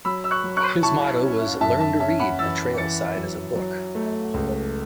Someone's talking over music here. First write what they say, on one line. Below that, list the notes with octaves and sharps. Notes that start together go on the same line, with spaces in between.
His motto was Learn to Read the Trail-side as a Book.
F#3 B5 E6
E6
C#6 F#6
F#3
C#6 F#6
E4 A5 C#6
C#4
F#2 E5 A5
E5 A5
C#4 E5 A5
F#5 B5
E3 E6 A6
E3 A6 C#7
F#3
F#3
A3
C#2